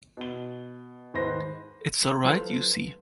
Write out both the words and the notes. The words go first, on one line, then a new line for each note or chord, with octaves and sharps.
It's all right, you see.
B2 G7
D#2 G#2 B4 C5 C6 A#6
F#3 F4 A4 B4 C5